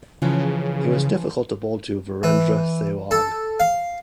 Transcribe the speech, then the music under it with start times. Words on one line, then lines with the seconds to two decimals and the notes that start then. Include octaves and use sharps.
It was difficult to bowl to Virendra Sehwag.
0.22 C#3 E3 F3 C#4
2.23 E3
3.11 A4
3.60 F5